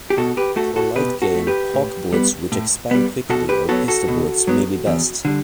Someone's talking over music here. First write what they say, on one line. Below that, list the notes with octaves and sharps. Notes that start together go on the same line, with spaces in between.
For light game, Hawk bullets which expand quickly or pistol bullets may be best.
G4
B2 F#4 A4
G4 B4
A3 F#4 A4
F#4 A4
B2 G4 B4
F#4 A4
A3
G4 B4
A2
G3 B3
A2
G3 B3
B2 F#4 A4
G4 B4
F#3 B3 F#4 A4
F#4 A4
B2
F#3 B3
E2
D3 G3